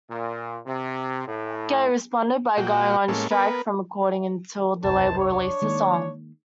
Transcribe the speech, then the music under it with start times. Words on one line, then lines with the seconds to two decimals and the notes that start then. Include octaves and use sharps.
Gaye responded by going on strike from recording until the label released the song.
0.10 A#2
0.66 C3
1.27 A2
2.57 A#2 F#4 G5
3.08 A2 G#3 A#3 C#4 A4
3.31 B3 A#4 B4
4.84 E1 C2 F#2 D#4 C5 A5
5.19 D4 C#5
5.62 D#3 G#3 A#3